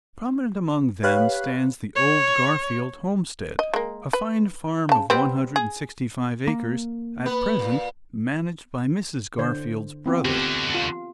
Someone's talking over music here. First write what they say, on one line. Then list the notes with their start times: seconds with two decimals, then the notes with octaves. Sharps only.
Prominent among them stands the old Garfield homestead - a fine farm of one hundred and sixty-five acres, at present managed by Mrs. Garfield's brother.
1.03 G4 B4 C#5 F5 B5 F#6
1.95 C#5
3.59 D#5
3.74 G#3 A#3
4.13 B4
4.89 C#3 A5
5.10 G3 B3 C4
5.56 G#4
6.47 A#3
7.26 B3 B4
7.59 A#2
9.38 D3 C5
10.06 B3 C4 F4
10.25 D3 F#4 G4
10.74 F4